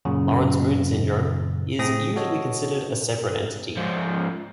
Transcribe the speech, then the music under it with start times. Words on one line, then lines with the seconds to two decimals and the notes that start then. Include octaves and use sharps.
Laurence-Moon syndrome is usually considered a separate entity.
0.05 F#2 A#2 C#3
1.79 A2 C4 G#4 D#6 A#6
2.16 F#4 A4 C#5 D#5
3.77 G#2 F3